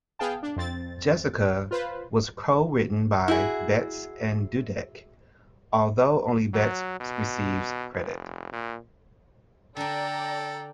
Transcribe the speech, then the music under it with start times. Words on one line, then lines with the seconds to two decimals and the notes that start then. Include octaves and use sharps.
"Jessica" was co-written by Betts and Dudek, although only Betts receives credit.
0.19 B3 G#4 F5 G5 A5
0.43 D4
0.56 F2 C4 A6
1.71 F4 B4 C5
3.28 E4 F#4 G#4
6.54 F#3
7.00 B2
7.93 F1
8.53 A#2
9.77 D3 D4 A4 D5 G5 A#5